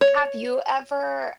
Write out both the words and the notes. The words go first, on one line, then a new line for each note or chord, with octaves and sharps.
Have you ever
C#5